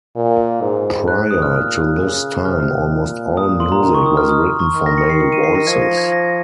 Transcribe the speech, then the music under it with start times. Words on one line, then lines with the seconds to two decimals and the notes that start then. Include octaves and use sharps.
Prior to this time almost all music was written for male voices.
0.16 A#2
0.61 G#2
1.08 F#6
1.31 D#6
1.42 F6
1.53 A#2
1.99 C#3
2.45 C3 F6
2.91 A#2
3.37 D#6
3.60 C6
3.72 A#5
3.83 D#3 A#5
3.94 C#6
4.06 D#6
4.17 F6
4.29 D#6
4.60 C#6
4.74 D#3 F6
4.86 A#6
4.98 C#7
5.10 C7
5.20 C#7
5.32 D#7
5.43 C7
5.55 A#6
5.67 F3 G#6
5.82 A#6
5.97 G#6
6.12 A#6